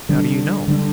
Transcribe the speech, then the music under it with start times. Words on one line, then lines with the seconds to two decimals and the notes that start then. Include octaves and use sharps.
"How do you know?"
0.09 D3 G3 D4
0.68 D3 G3 D4